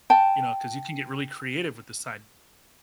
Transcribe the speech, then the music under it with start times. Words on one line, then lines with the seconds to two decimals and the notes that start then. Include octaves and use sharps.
You know, 'cause you can get really creative with the side
0.10 G5 A5